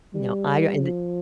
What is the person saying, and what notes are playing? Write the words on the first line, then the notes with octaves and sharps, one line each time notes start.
you know, I and i
G3
F3